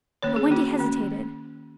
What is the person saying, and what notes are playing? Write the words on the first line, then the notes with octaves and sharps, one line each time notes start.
But Wendy hesitated.
D#3 A#3 C#4 C#5
G#4
D#3 A#3 C#4 F#4
D#3 A#3 C#4